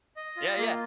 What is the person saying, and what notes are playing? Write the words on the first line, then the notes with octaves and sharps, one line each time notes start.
Yeah, yeah.
D#5
F4
A#3